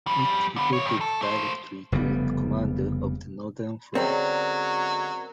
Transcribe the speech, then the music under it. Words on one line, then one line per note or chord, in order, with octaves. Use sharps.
It reported directly to the commander of the Northern Front.
F2 G3
D3 B3
F3 C#5
G2 D#3
A4
A3 C5
F1 C#3 G3 B3
D3 F#3 G#3 C4 C#4 A#4 A#5